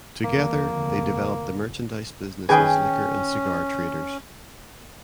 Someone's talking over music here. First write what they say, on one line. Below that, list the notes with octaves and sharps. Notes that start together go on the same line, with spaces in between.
Together they developed the merchandise business as liquor and cigar traders.
F1 D#2 D3 A#3
D#3 C#4 G#4 B4 G5 G#5